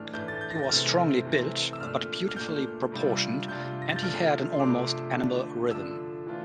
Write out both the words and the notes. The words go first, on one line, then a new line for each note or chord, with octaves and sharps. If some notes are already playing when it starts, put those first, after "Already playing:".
He was strongly built but beautifully proportioned and he had an almost animal rhythm.
Already playing: A2 E3 A3 D4 F6
A2 E3 A3 D4 G6
A6
G6
A#6
A6
G6
C3 E3 A3 C4 F6
C3 E3 A3 C4
E6
A#2 A3 D4 F6
F6
A#2 A3 D4 G6
C3 G3 D4 F4
C3 G3 D4 F4 G6
A#6
A6
G6
C3 F3 A3 D4 F6
C6
C3 F3 A3 D4 D6
D3 F3 A3 D4
D3 F3 A3 D4 E6
E3 A3 D4 F4